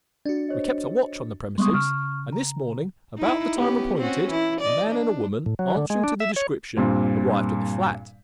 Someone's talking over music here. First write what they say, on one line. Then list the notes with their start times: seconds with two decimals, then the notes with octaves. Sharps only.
We kept a watch on the premises, and this morning, about the time appointed, a man and a woman, answering to the description, arrived at the flat.
0.26 D4 F#4 D5
0.49 C5 C#5 D#5
1.58 G3 G#3 B3 C6 C#6 D#6
1.74 C#3 C#6 F6
2.32 A#5
3.17 D#4 E4
3.57 B3 C#4 G4
3.98 C4 C#4 F#4
4.30 E3 E4
4.61 D5 D#5
4.90 D4
5.46 A2
5.59 F#3
5.77 D3
5.90 G#3
6.04 D4
6.20 E5
6.36 C#5
6.77 G2 A#2 C4